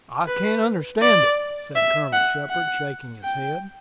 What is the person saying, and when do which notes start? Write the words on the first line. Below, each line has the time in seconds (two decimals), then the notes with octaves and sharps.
"I can't understand it," said Colonel Shepard, shaking his head.
0.27 B4
1.02 D5
1.76 E5
2.13 F#5
2.50 F#5
3.24 G5